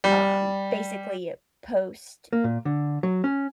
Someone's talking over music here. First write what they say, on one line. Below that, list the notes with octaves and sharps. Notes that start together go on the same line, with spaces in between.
uh, basically post,
G3
A#3
A#2
D3
F#3
C#4